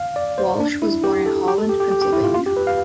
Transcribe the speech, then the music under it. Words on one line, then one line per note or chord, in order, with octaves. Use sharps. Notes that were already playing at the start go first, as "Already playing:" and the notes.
Walsh was born in Holland, Pennsylvania.
Already playing: F5
D5
C5
D4
E4
G4
A4
G4
A4
G4
G4
G4
G4
E4
F4
F4
G4
B4
F5